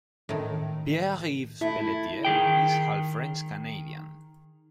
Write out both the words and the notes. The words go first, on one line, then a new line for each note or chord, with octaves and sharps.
Pierre-Yves Pelletier is half French Canadian.
A2 D#3
A3 E4
D#3 G#4 G5